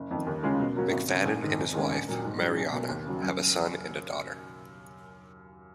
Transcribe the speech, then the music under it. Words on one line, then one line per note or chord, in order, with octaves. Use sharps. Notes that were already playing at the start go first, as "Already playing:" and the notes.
McFadden and his wife, Marianna, have a son and a daughter.
Already playing: F#1
F2 D#3
D#2
C#3 G#3 C#4 F4
B2
F#3 A#3 C#4 F#4
G#1
F#2 C#3
A#1
G#2 D#3
F1
D#2 D#3 G#3 C#4
A#1
A#2 F#3 A#3
G#2
F#3 C#4
B1
B2 A#3
D#2
C#3 F#3
F#2